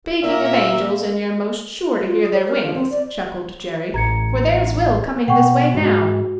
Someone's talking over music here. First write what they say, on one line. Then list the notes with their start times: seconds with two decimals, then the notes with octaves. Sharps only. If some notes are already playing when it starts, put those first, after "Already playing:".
"Speaking of angels, and you're most sure to hear their wings," chuckled Jerry; "for there's Will coming this way now."
0.23 A#2 A#3 C#4 A#4 E5
2.05 F4
2.21 G#4
2.33 C#5
2.48 A#4
2.62 F3
2.74 C4
2.90 D5
3.94 A1 A#5 G#6 C#7
5.28 B2 F#5 G5 C#6
5.75 G#2 F#4